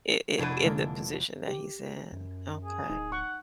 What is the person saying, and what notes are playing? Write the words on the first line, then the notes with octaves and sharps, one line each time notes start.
i i in the position that he's in. Okay.
F1 B2 D4 E4 D#7
D3 G#3 A#3
G4
F#2
G#4
D1 D#4
F#5 C#6